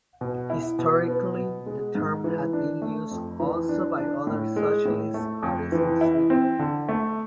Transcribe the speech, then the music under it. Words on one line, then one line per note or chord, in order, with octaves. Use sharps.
Historically the term had been used also by other socialist parties in Sweden.
B2
E4
B2
B3
B2
G#3
G#2
E3
D4
A3
F2
E3
D4
D4
A2
G#3
A2
A3
F2
E3
E4
C4
D3
A3